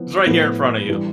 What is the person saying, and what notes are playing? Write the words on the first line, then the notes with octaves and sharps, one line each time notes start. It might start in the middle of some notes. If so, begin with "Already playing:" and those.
"It's right here in front of you.
Already playing: F3 B3 E4
A2 F3 B3 E4
E3 G3 D4